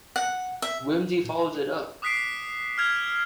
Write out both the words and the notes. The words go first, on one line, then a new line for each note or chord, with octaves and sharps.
Wimsey follows it up.
F#5
E5
D6 D#6 F#6 B6 C7 D7
F6 F#6 G#6 F7